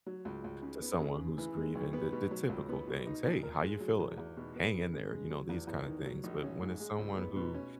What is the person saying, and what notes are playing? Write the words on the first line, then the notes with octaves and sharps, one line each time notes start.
to someone who's grieving, the the typical things. "Hey, how ya feeling? Hang in there." You know, these kinda things. But when it's someone who,
F#3
C#2
C#2
C#3
B3
C#3
C#3
E3
G#3
B1
B3
B2
F#3
C#2
B3
B2
D#4
A#2
A#4
G#3
F#3
E2
E2
B2
B3
C#3
C#3
G#3
F#3
E2
E2
D#3
F#3
A#1
C#4
G#2
G#3
C#2
B3
B2
C#4